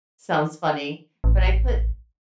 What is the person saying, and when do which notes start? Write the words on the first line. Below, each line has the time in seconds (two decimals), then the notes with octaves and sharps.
sounds funny, but I put
1.24 A1